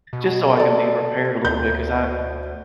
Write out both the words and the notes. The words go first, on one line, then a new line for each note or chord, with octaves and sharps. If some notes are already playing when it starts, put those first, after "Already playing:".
just so I can be prepared a little bit 'cause I,
B2
A4 D5
D2 G6